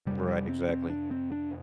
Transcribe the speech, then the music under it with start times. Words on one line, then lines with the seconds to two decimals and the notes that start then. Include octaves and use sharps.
Right, exactly.
0.06 F2 C3 G3
0.28 G3
0.49 C4
0.69 C4
0.90 D4
1.11 C4
1.32 D4